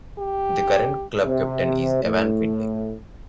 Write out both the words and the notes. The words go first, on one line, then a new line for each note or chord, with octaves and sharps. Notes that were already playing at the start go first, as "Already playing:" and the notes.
The current club captain is Ewan Findlay.
G4
C3
A2